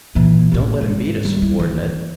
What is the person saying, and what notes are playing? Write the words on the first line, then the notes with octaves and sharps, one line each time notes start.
"Don't let him beat us," implored Ned.
A#2 E3
A1 C3
G#2
G3
E4
E3